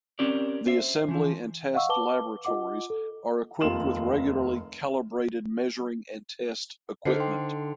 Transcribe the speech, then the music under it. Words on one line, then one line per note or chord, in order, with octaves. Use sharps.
The assembly and test laboratories are equipped with regularly calibrated measuring and test equipment.
C4 C#4 G4 A#4 D5
C5 E5
E3 F3
D#5 F5 F#5 C#6 E6
B4 A5 D6 G7
F4 D#5 F#5 D6
A4
F1 D#2 F4 C6 E7 F#7
D3 D#4 A4 C5 C7
G5 C6